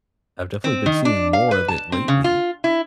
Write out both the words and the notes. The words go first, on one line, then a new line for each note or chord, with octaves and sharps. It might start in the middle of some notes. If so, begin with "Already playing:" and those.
I've definitely been seeing more of it lately.
C4
D#3
D4
F5
B4
A5
C4
C#3
F4
E4